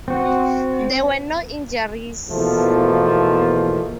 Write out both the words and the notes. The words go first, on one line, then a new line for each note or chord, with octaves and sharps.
There were no injuries.
C4 F#4
E2 B2 E3 F3 A3 A#3